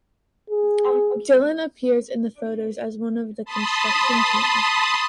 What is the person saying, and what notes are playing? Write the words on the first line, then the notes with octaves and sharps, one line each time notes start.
Dylan appears in the photos as one of the construction team.
G#4
A5 B5 C6 D#6